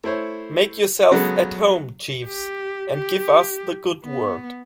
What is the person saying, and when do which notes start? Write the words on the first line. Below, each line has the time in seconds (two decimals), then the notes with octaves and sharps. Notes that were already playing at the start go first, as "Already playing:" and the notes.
Make yourself at home, Jeeves, and give us the good word.
0.04 A3 E4 C5 C#5
1.11 C#3 F#3 G#3 B3 A4
2.26 G4
2.92 G4
4.04 B3